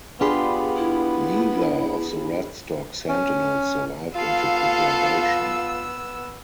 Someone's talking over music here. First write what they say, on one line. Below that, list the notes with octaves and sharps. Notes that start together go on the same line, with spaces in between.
Neither of the Radstock Sentinels survived into preservation.
B3 D4 F4 G4 G#4 B5 C6
E4
C#4
B3 F4 A4 F5 E6